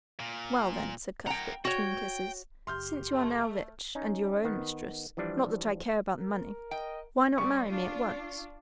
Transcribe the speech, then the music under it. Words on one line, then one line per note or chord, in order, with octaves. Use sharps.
"Well, then," said Cuthbert, between kisses, "since you are now rich and your own mistress--not that I care about the money--why not marry me at once?"
A#2
A#4 F#5 G5 A#5
F#4 C#5 G5
F#1 G4 C6 F6 G6
A3
C#4 D#4
D#3 B3
E3 F3 G3 D4
A#4
D#5 G5
G3 C#6
D4 F4